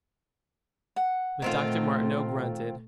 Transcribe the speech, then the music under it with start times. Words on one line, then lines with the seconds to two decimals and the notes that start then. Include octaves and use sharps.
But Dr. Martineau grunted.
0.96 F#5
1.42 A#2 D#3 A3 C4 F4